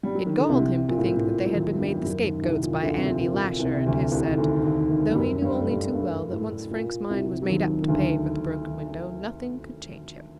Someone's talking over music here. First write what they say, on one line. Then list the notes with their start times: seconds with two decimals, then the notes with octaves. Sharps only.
It galled him to think they had been made the scapegoats by Andy Lasher and his set, though he knew only too well that once Frank's mind was made up to pay for the broken window nothing could change him.
0.03 G3
0.15 F#3
0.26 D#3
0.38 D3
0.49 C2 C3
0.88 A#2
0.98 A2
1.16 A2
1.27 A#2
1.46 F#3
1.53 D#2 D#3
1.78 G2 G3
1.98 G3
2.04 F#2 F#3
2.23 D#2 D#3
2.43 C2 C3
2.62 A#2
2.82 D2 D3
2.98 C3
3.08 A#2
3.34 A#2
3.59 C2 C3
3.75 C3
3.86 D2 D3
4.12 C2 C3
4.26 D#3
4.37 D2 D3
4.63 D#2 D#3
4.89 D#2 D#3
5.10 G3
5.15 F#2 F#3
5.41 G2 G3
5.61 A3
5.68 G2 G3
5.93 G2 G3
6.33 A2
6.71 A#2
7.10 C2 C3
7.42 F#3
7.49 D#2 D#3
7.82 D#3
7.88 D2 D3